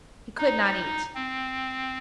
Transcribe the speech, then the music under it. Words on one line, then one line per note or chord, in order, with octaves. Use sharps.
He could not eat.
D#4
C4